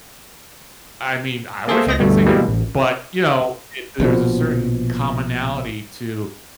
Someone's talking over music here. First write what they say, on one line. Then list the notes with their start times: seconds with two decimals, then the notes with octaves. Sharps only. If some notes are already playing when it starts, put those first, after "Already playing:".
I mean I wish I could sing it, but, you know, it there's a certain commonality to
1.68 A#3 G#4 A4 C5 E5
1.87 C#2 D#5 A#6
1.99 D2 G2 B2 D3 G3 A3
2.26 B2 E3 G3 G#3 A#3 B3
2.48 A1
4.00 A#1 B2 D#3 F3